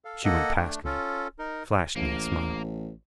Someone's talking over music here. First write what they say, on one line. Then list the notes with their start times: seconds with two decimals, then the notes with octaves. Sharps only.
She went past me, flashed me a smile.
0.05 A4 F5
0.24 A#3 A4 D#5 F#5
0.57 A3 D4
0.85 C#4 F4 A4
1.39 D#4 A#4
1.96 A1 A#3